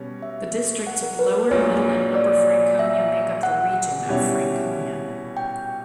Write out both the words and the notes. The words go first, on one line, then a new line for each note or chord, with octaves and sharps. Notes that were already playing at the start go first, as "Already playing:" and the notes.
The districts of Lower, Middle and Upper Franconia make up the region of Franconia.
Already playing: B2 G3 C#4
E5
F#5
A#4
B4
A#4
A#1 A#2 F#3 C#5
D5
E5
F#5
B2 G3 C#4 E4 G4
G5